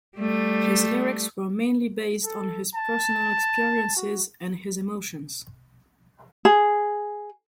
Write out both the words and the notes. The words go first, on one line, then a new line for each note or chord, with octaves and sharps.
His lyrics were mainly based on his personal experiences and his emotions.
G3 A3
A4
A5
F#4
G#4